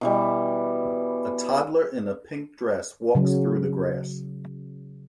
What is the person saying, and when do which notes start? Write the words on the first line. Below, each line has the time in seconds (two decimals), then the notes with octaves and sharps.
A toddler in a pink dress walks through the grass.
0.01 B2 E3 G3
3.15 C#3 F#3